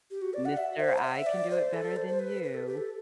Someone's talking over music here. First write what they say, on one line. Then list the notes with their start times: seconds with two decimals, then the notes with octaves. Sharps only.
Mister, "I can do it better than you."
0.11 G4
0.22 F#4
0.34 D5
0.45 F#5
0.57 E5
0.80 C5
0.98 F#5
1.04 E5
1.26 D5
1.50 C5
1.74 A4
1.96 C5
2.08 C5
2.19 B4
2.43 B4
2.54 A4
2.66 G4
2.77 A4